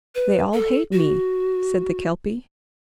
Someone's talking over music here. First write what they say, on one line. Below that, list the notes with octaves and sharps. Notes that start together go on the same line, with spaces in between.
"They all hate me," said the Kelpie.
B4
A4
F#4